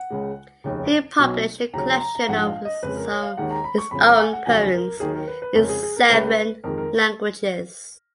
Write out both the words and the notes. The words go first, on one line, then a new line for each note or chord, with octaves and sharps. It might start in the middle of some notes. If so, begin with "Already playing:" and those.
He published a collection of his own poems in seven languages.
Already playing: F#5
C#2 C#3 G#3
F1 D#2 C#3
B1 B2 F#3
D#2 C#3 F#3 A#5
A#5
A#5
A#5
A#1 G#2 F3 G#3 F#5
F5
D#5
F2 C#3 G#3 B4
A#4
C#5
F5
D#2 D#3 G#3 F#5
A#5
B5
C#6
F2 C#3 F3 G#3 B5
A#5
G#5
F#5
F1 D#2 C#3 F#3 G#5
A#4
A#4
D#2 D#3 F#3 G#4
A#4
B4
B4
F1 F2 C#3 G#3 A#4
G#4
G#4
A#4
C#2 C#3 G#3 B4
F2 D#3 G#3 A#4
A#4